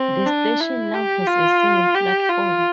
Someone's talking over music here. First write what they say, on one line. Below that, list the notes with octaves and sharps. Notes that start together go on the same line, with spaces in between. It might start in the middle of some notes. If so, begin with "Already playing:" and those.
The station now has a single platform.
Already playing: C4
D4
E4
G4
F4
G4
F4